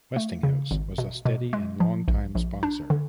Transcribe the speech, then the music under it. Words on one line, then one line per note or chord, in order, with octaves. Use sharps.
Westinghouse was a steady and long-time sponsor.
A3
C#3
G#1
B2
B2
G#3
F3
A#1
A#1
D4
D3